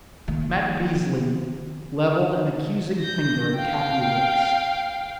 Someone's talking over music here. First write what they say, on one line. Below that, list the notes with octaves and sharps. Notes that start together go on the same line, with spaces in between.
Matt Peasley leveled an accusing finger at Cappy Ricks.
D#3 A#3
G6 A#6
F5 G5